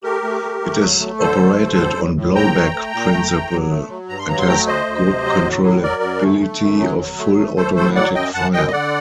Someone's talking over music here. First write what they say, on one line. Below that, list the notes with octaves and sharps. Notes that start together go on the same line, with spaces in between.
It is operated on blowback principle and has good controllability of full automatic fire.
A3 G4 A#4
A3
A3
A3
F#3
A3
D3 A4 C5
A3
D2
A2
A2
A2
D#2 G5 A#5
A3
A3
A#2
A3
A3
F#3
A3
F#3
G2 A#5
C6
F#3 A#5
C6
A3 G5 A#5
D2 C5 D#5
D2
C3
F#3
A2
F#3
F#3 A#4 D5
F#2
A3
A3
F#2
F#3
F#3
A3
A3
A3 A4 C5
A2 A4 C5
F#3 D5 F#5
F#2 D#5 G5
F#2 F#5 A5
F#2 D#5 G5
D#5
D3 D5 F#5